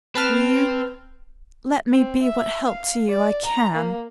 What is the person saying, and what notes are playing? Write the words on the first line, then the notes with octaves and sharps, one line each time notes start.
'Will you let me be what help to you I can?'
C4 B4 A5 F6
C4
E5
F5
D5
A#5
A#3